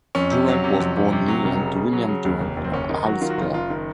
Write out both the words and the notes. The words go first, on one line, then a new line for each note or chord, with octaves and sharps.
Durant was born in England to William Durant and Alice Pell.
F2 C#4
C3
F#3
C3
F2
C3
C3
F#3
F1
C#3
C#3
F#3
C#3
D#2
F1
D#2
C4
F#1 C#4
D#3 D#4
F#3 F#4
D#3 F4
F#4
F#1 F4
F#1 F4
D#3